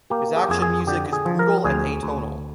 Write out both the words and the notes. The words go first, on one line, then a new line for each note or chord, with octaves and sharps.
His action music is brutal and atonal.
A#3 G4
G#4
G4
F2 G#4
G#4
D3 G4
G#4
F3
A#4
D2 G#4
D2